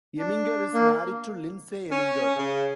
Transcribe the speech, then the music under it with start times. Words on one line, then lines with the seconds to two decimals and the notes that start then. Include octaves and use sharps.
Eminger is married to Lindsay Eminger.
0.18 D4
0.74 A#3
1.91 C#4
2.36 C#3